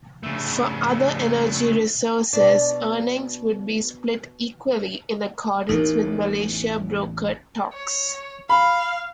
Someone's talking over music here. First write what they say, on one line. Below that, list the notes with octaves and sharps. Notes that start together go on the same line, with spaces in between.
For other energy resources, earnings would be split equally in accordance with Malaysia-brokered talks.
C#3 A3
B2 D4
A1 E2 A2 D#4 A#4
C#5
F5 B5